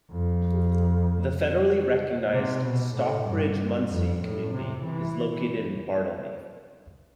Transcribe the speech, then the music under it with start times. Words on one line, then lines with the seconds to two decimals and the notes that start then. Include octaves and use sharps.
The federally recognized Stockbridge-Munsee Community is located in Bartelme.
0.11 F2
2.32 C3
2.63 B2
2.95 A2
3.26 G2
3.89 F2
4.21 A2
4.53 C3
4.84 E3